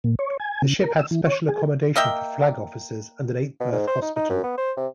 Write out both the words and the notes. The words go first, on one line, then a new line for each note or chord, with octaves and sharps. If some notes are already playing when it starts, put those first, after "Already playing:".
The ship had special accommodation for flag officers and an eight-berth hospital.
A#2
C#5
G#5
C#3
A#4
E6
E3
C#5
G#4
A#3 D#5 E5 G5
B2
G#2
C5
D#4
D#4
F#2
B3
C5
C3